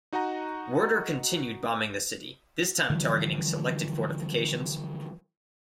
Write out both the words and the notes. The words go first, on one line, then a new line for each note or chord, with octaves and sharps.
Werder continued bombing the city, this time targeting selected fortifications.
D#4 F#4 D#5 F#5 A#5
D3 E3 F3 G3